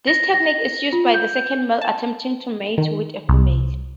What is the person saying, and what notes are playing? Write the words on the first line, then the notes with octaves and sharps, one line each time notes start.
This technique is used by the second male attempting to mate with a female.
A#6
A#6
F4
G6
A5
D#3
C2